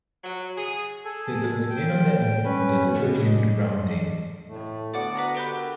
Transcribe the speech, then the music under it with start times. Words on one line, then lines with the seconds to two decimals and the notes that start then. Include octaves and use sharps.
Figures may not add up to the total due to rounding.
0.24 F#3
0.56 G#4
1.05 G#4 A4
1.70 G5
2.44 C#4 B4
2.94 D3 D#3 A3 B3 D4 F#4
3.14 C#4 D4 D5 D#5
4.47 A2 A3
4.93 D3 B3 F#4 D5 F#5
5.15 B4 F#5 A#5
5.34 D4 G4 B4
5.54 A4 A#4